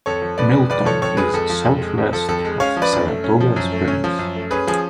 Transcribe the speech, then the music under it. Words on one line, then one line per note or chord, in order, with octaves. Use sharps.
Milton is southwest of Saratoga Springs.
F2 A4 C#5
F3
F2 B4 D5
G#3
F2 B4 D5
F3 A4 C#5
F2 A4 C#5
G#3 G#4 B4
F2 A4
F3
F2
G#3
F2
F3 A4
F2 A4
G#3
C#4 C#5 F5
F3
B4 D5
F#2
A3
C#4
F3
F#2
A3
C#4
F3
F#2
A3
C#4 G#4 B4
F3 G#4